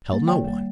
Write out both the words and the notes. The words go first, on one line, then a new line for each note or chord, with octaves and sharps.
Tell no one.
G3 A#3
D#3 G5
G3 A#3